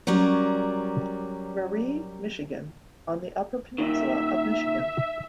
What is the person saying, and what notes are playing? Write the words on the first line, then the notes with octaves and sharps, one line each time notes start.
Marie, Michigan on the Upper Peninsula of Michigan.
F#3 G3 C#4 A#4 D5
A#2 D#3 E5